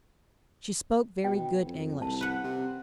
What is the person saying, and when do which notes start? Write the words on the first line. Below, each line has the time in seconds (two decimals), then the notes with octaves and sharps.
She spoke very good English.
1.24 B2 G5
1.66 F2
2.02 C2 A5
2.21 B4 F#5
2.44 C3